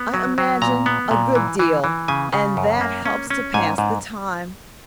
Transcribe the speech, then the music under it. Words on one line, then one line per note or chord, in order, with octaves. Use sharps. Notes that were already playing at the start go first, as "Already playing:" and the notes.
I imagine a good deal, and that helps to pass the time.
Already playing: B3
F#3
F#3
A#2 A#5
B3
A#2
E3
E3
E3
C#3 G#5
C#3
F#2
A#3
C#4
C#4
G#2 G#5
G#2